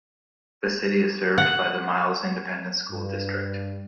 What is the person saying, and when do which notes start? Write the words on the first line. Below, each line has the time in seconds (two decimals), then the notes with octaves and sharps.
The city is served by the Miles Independent School District.
1.38 F#5
2.91 G2